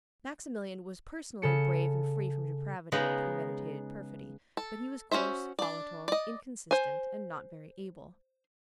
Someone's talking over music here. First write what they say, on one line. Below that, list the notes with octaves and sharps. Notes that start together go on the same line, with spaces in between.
Maximilian was personally brave and free from depravity or premeditated perfidy, but he was coarse, volatile, inconsistent, and not very able.
C#3 A4 C#7
C#3 G#3 B3 D#4
A4
C#4 D4 F#4 C5 E5
D4 D5
D5 D#5
C5 G#5